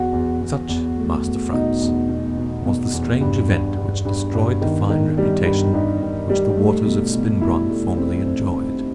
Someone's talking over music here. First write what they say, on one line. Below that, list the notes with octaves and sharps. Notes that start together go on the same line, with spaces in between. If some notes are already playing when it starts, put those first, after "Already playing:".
Such, Master Frantz, was the strange event which destroyed the fine reputation which the waters of Spinbronn formerly enjoyed.
Already playing: E2 F#4
E2
E2
E2
A3
E2
B2 D#4
E2
B2
B2
B2
E2
G2
G2
G2
G2
G2
D#3
D#3
G3
G2
G2 D#4
G2
G3
A3
B2
B2
B2 E4
A3
C4
C4
C4